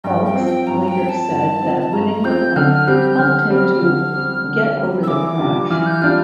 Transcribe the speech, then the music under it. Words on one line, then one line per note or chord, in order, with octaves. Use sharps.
Foulkes later said that winning the Cup helped him to "get over the crash".
G2 G5
G5
F3 C4
G5
G2 A#5
G5
F3 C4
A5
G2
F3 C4
A5
G2 A#5
F3 C4 G6
D3 F6
G3 C4 G4 G6
D3 F6
G3 C4 G4
D3
G3 C4 G4
D3
G3 C4 G4
E6
E3 D6
G3 D4 F4
E3 F6
G6
G3 D4 F4 F6